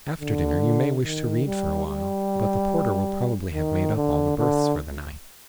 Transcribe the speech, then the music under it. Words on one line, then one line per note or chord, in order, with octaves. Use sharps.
After dinner you may wish to read for a while, but the porter will probably have made up all the berths for the night.
D3
D#3
G3
G3
D#3
D3
D3